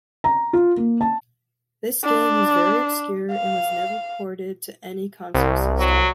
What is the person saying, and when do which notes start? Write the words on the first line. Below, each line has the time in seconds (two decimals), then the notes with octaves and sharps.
This game was very obscure and was never ported to any console system.
0.24 A#5
0.53 F4
0.77 A#3
1.01 A5
2.04 D4
3.32 F5
5.34 C2
5.79 F#3